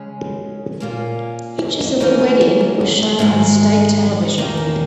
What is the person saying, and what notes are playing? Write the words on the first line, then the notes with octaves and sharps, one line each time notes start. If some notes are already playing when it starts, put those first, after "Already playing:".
Pictures of the wedding were shown on state television.
Already playing: C#3 G#3 C#4
A#2 A#3 C#4
C#3 E3 A#3 C#4 D#4
G#2 D#3 G#3 D#4
E2 D#3 A#3 C#4 D#4
E4